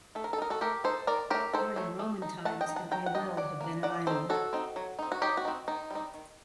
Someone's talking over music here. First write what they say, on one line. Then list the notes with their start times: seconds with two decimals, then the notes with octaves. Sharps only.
During Roman times it may well have been an island.
0.15 A3 A4
0.24 A#4
0.33 A4
0.38 D#4 A#4
0.50 F#4 A4
0.61 A3 G4 A#4
0.84 D#4 A4 C5
1.07 D#3 A#4 D5
1.30 F#3 A3 G4 A#4
1.53 D#3 A4 C5
1.76 F#3 A3
1.99 A3
2.22 D#4
2.45 A3 F#5 A5
2.61 D#5 G5
2.69 D#4
2.76 F#5 A5
2.91 F#3 G5 A#5
3.06 F#5
3.14 A#3 D4 D#5 G5
3.37 F#3 D5 F#5
3.61 A#3 D4
3.83 F#3 D5 F#5
4.07 C4 D#4 A4 C5
4.29 F#3 F#4 A4
4.53 C4 D#4
4.76 F#3
4.99 C4 D#4
5.12 F#4
5.22 F#3 D#4 G4
5.37 F#4
5.45 C4 D#4
5.68 D#3 D#4
5.91 G3 C4 D#4
6.14 D#3